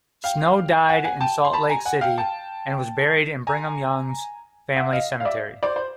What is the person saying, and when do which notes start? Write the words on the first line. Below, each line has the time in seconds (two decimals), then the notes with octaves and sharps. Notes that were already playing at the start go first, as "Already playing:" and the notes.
Snow died in Salt Lake City, and was buried in Brigham Young's family cemetery.
0.24 F5 G5
0.89 F#5 G#5
1.04 F#5 G#5
1.20 G5 A5
1.45 C6
1.53 A5 B5
1.69 G#5 A#5
1.85 F#5 G#5
2.01 F5 G5
2.18 G5 A5
3.47 G#5 A#5
4.76 E5 F#5
4.93 D#5 F5
5.20 F5
5.25 D5 E5
5.63 C5 D5
5.76 C5